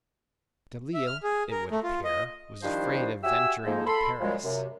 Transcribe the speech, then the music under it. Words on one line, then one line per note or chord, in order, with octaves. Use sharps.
Delisle, it would appear, was afraid of venturing to Paris.
E5
F6
G#4
A#4
A3
F4
D#5
D#3 F3 G3 D4 E4 C5
F#4 G4 E5 G#5 E6
F2 F3 G#3 A#3 D#4
A4 B5 C6
F#2 A#2 F3 G3 G#3
F#2 C3